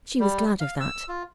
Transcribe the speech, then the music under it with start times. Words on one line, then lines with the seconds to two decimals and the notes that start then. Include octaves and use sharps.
She was glad of that.
0.20 G3
0.60 F5
0.80 E6
1.09 F4